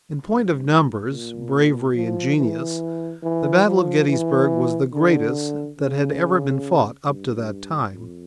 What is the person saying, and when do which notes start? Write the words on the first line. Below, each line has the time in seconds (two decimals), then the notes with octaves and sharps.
In point of numbers, bravery and genius, the battle of Gettysburg was the greatest that had ever been fought up to that time.
0.23 G2
1.10 A#2
1.94 F3
2.37 E3
3.22 E3
3.65 F3
4.08 E3
4.93 D3
5.79 C#3
7.06 G2
7.92 F2